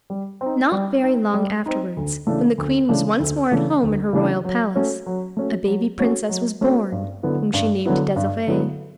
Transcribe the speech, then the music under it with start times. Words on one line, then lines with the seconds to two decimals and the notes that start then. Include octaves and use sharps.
Not very long afterwards, when the Queen was once more at home in her Royal Palace, a baby Princess was born, whom she named Desiree.
0.10 G3
0.41 C4
0.46 D#4
0.72 G3
1.03 C4 D#4
1.34 G3
1.66 C4 D#4
1.97 D2
2.27 C#3 E3 A3 D4
2.58 D2
2.89 C#3 E3 A3 D4
3.20 D2
3.51 C#3 E3 A3 D4
3.83 D2
4.13 C#3 E3 A3 D4
4.45 F#3
4.74 A3 C#4 F#4
5.06 F#3
5.37 A3 C#4 F#4
5.67 F#3
5.99 A3 C#4 F#4
6.29 F#3
6.61 A3 C#4 F#4
6.92 G2
7.23 D3 F#3 B3 E4
7.54 G2
7.85 D3 F#3 B3 E4
8.16 G2
8.47 D3 F#3 B3 E4